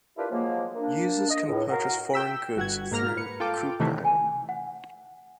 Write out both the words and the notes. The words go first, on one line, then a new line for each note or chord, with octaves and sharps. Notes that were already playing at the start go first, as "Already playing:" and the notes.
Users can purchase foreign goods through Coupang.
D4 E4 F4 G4 A#4 B4
F3 F#3 G#3 A#3
A#3 D4
D#5
C#2 A2
F#4 A#4 F5
G5 E6 B6
G1 F#4 F#5 G#6
G#2 A#3 A#5 F6
B4 C#7
F4 A4 G5 D6
C3 D#3 E3 A3
G#5
F#5